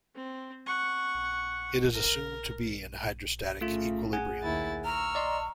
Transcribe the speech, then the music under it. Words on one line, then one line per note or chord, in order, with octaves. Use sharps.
It is assumed to be in hydrostatic equilibrium.
C4
F#5 C#6
A#4
A2 C#3 A3 F4
G#4 F#5 G#5
D#2 E4 A6
A#5 C#6 E6 F6
D5 D#5 C6